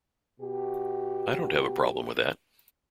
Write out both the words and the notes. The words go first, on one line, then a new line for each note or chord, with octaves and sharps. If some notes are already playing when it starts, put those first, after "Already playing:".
I don't have a problem with that.
B2 F#4 G4